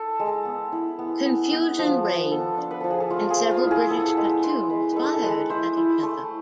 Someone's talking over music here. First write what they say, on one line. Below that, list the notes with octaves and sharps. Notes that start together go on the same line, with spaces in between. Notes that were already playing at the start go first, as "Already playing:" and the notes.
Confusion reigned, and several British platoons fired at each other.
Already playing: A4
G#3
B3
E4
B3
B3
B3
F3
B3
B3 A4
D4
B4
F3 A4
G#4
A4
A3 F4
G#4
A3
F4
E4
G#4
B3 A4
G#3 B4
E4 C5
G#3 B4
G#3 A4 B4
A4
G#3 B4
E4 C5
E4
A3